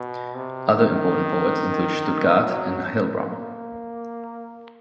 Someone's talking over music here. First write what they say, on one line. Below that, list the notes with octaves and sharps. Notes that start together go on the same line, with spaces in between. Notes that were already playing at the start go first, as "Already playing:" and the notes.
Other important ports include Stuttgart and Heilbronn.
Already playing: B2
C3
D#3
F#3
A#3